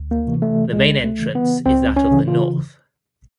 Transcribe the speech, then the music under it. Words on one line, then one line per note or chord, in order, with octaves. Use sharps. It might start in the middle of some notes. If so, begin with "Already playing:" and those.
The main entrance is that of the north.
Already playing: D2
A#3
C3 E3
A3
C#2 G#3
A3
C#3 E3
B3
C#2 C4
C#4
C#3 E3
F4